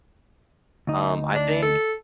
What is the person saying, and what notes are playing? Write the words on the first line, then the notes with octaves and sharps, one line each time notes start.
Um, I think
D2 D#4
D4
A4